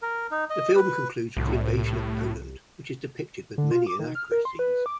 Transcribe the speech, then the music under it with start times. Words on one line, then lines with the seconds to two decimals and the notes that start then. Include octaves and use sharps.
The film concludes with the Invasion of Poland, which is depicted with many inaccuracies.
0.02 A#4
0.31 D#4
0.50 D#5
0.75 B4
1.37 C2 A2
3.58 D3
3.71 F4
3.87 D6
3.99 D#3
4.15 F6
4.32 A#4
4.45 C6
4.59 B4
4.86 D6